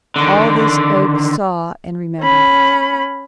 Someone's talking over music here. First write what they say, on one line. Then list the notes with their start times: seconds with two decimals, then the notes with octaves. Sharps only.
All this Oak saw and remembered.
0.16 D3 D#3
2.22 C#4 B5